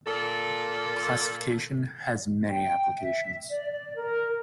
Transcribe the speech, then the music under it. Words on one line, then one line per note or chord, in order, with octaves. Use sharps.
Classification has many applications.
A#2 A4
G5
E5
D5
D5
A#4